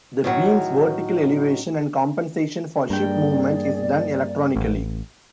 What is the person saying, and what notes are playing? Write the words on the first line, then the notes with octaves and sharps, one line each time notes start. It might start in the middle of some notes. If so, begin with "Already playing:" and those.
The beams' vertical elevation, and compensation for ship movement, is done electronically.
A2 D#3 F#3
G2 A#3 G#4 D5 G5
A1